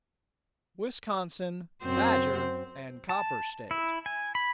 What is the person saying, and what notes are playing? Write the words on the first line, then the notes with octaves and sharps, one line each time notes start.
Wisconsin, Badger and Copper State.
F#2 C4 C5
A5
E4
G#5
B5